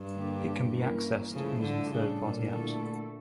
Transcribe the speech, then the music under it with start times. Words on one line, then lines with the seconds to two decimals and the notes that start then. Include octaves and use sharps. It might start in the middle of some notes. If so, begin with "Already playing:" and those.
It can be accessed using third party apps.
Already playing: G2
0.14 D3 G3 A#3 D4 G4
0.73 E3 A#3 C#4 E4 A#4
1.31 G2 C#3 F3 A3 E4 A4
1.61 D3
1.91 A2 C#3 G3 D4 A4
2.20 A#2
2.49 D3 A3 E4 A4